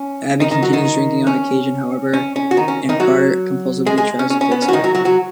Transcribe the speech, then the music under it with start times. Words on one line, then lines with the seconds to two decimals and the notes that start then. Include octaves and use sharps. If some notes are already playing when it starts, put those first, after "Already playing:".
Abby continues drinking on occasion, however, and Carter compulsively tries to "fix" her.
Already playing: C#4
0.40 D#3 D#4
0.51 D#3 D#4
0.62 F#3 F#4
0.73 D#3 D#4
1.27 C#4
2.14 C#4
2.36 C#4
2.51 F#4
2.57 D#3 D#4
2.68 C#4
2.89 D#3 D#4
3.00 F#3 F#4
3.86 G#3 G#4
3.98 G#3 G#4
4.19 C#4
4.30 C#4
4.41 C#4
4.52 B3
4.62 C#4
4.68 F#4
4.73 D#3 D#4
4.84 F#3 F#4
4.95 F#3 F#4
5.05 F#3 F#4